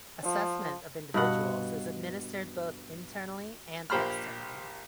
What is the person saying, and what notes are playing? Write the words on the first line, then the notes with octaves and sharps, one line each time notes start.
Assessment of individuals is administered both internally and externally.
F3
G2 B2 F#5
A#1 A#3 G4 C5 B5 F6